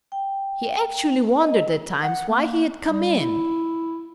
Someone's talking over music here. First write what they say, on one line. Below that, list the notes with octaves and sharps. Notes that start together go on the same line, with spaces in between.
He actually wondered at times why he had come in.
G5
D#5
F#5
A#3
G3
E4